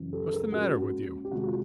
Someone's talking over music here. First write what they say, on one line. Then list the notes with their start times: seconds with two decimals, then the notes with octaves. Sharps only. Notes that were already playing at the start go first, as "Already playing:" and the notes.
'What's the matter with you?'
Already playing: F#2 C#3 E3
0.13 G4 A4
0.26 A4
0.33 G#4 A#4
0.52 A#2 F3 G#3 C#4 F#4 G#4
0.79 F#4
1.25 G4
1.31 C3 D#3 G#3 F#4
1.46 F4